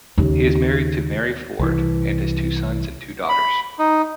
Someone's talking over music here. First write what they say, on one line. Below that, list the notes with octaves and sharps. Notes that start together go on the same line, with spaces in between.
He is married to Mary Forde and has two sons and two daughters.
D#2 C#3
C2 E3
B5
D#4